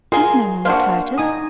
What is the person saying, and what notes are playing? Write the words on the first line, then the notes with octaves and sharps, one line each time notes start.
These men will not hurt us.
F4 G#4 A#4 G#5 C6
A#3 D4 F#4 C5 F5
D#4 G#5 D#6